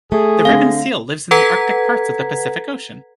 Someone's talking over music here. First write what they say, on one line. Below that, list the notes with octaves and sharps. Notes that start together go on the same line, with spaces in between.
The ribbon seal lives in the Arctic parts of the Pacific Ocean.
A3 G#4
D3 C4 F5
A4 B4 F#5 A#5 G#6 B6